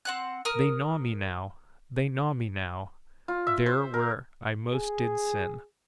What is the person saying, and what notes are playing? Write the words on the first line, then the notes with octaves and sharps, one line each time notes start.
They gnaw me now, they gnaw me now, There where I most did sin.
C4 F#5 F#6
A#4 D#6 F6
F4
E5
C5
A#4
G#4